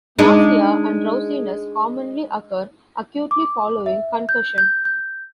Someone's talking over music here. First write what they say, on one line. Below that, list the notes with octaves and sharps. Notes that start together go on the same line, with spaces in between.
Nausea and drowsiness commonly occur acutely following concussion.
G#3 D4 D#4
D6
E5
G6
G6
G6